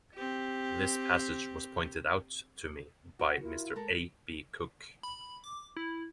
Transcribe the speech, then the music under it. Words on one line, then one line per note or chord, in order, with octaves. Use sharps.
This passage was pointed out to me by Mr. A. B. Cook.
C4 G4
F#4 F#5
E4 F4 A#4
G#3 A4 A#4
B5
D6
E4